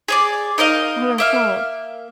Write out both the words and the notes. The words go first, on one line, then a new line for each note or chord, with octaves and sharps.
Other flaw.
G#4 C#5 D5
D#4 A#4 D#5 F5
A#3 E5 F6